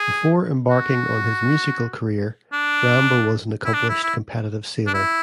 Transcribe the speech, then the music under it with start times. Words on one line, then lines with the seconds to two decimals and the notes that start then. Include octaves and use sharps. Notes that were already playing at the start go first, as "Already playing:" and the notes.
Before embarking on his musical career, Rambo was an accomplished competitive sailor.
Already playing: G#4
0.70 F#4
2.53 D4
3.65 E4
3.74 D4
3.89 E4
4.03 E4
4.87 D4
4.94 E4